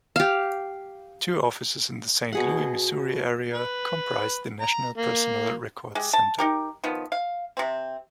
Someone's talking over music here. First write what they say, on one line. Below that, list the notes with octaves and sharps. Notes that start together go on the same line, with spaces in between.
Two offices in the Saint Louis, Missouri area comprise the National Personnel Records Center.
G4 F5
B2 G#4 F#5
B4
A#5
A#3
G#3 G4
A5
D#4 G4 A#4
D#3 F3 B3
F5
C3 C4